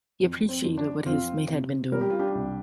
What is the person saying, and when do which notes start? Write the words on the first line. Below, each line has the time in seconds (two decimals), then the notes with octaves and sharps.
He appreciated what his mate had been doing.
0.20 F2
0.49 C4
0.63 F2
0.78 D4
1.06 F2 C4 F4
1.49 C3
1.92 G3 A#4
2.01 G4
2.10 F4
2.19 D4 G4
2.35 C2